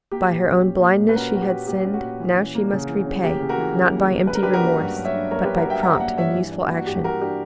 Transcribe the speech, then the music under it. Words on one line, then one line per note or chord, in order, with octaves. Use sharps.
By her own blindness she had sinned; now she must repay, not by empty remorse, but by prompt and useful action.
A#3 G4
A#2
C#4
A#2
A#3
A#2
B4
C#4 F#4 A#4
A#2 F#4
G4
A#3
A#2 G4
C#4
F#4
A#2
E3
C#4
A#3
C#3
E3
C#4
A#3 G4
C#3
F#4 A#4
E3
C#4
A#3
C#3
F#3 B4
A#4
D4 G4 B4
F#4 A#4
A#3
G2 F#4
F#3
C#5 E5
D4
A#3 A#4 C#5
G2 G4 B4
F#4 A#4
F#3 E5 G5
D4 F#5 A#5
A#3 F#5 A#5
G2 C#5 E5
E3
D4
F#4
A#3
F#4
G2 G4
E3 F#4 A#4
D4 G4